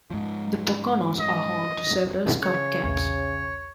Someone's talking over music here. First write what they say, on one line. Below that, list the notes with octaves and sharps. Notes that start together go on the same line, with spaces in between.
The Poconos are home to several Scout camps.
G#2 F3
D#5
C#3 C#5
B1 E2 A2 C#5